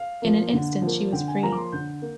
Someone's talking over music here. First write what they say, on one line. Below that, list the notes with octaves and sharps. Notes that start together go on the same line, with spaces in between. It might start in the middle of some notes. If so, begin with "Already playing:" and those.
In an instant she was free.
Already playing: F5
F3 A#3
D3
F3 A#3
D3 G5
G#5
F3 A#3 A#5
D6
C6
D3 G6
A#3